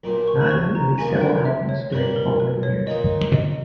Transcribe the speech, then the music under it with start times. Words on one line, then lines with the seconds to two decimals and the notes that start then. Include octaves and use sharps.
Riley released several albums during the following years.
0.04 B1 A#2 A#3
0.28 C#6
0.41 B5
0.51 C#6
0.75 A#5
0.98 E2 B2 A#3 E4 G#5
1.21 G5
1.45 E5
1.69 C#5
1.92 G2 G3 A#3 E4 B4
2.16 A#4
2.40 B4
2.63 C#5
2.87 A#2 A#3 D#4 D#5
3.34 D#5